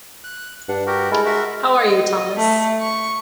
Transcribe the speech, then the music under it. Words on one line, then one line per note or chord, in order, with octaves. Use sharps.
How are you, Thomas?
F#6
G2 D4 F#5
F#4 G4 A#4
G#3 E4 A4 A#4
F#4 A#4 E5
D#5
A3
C#6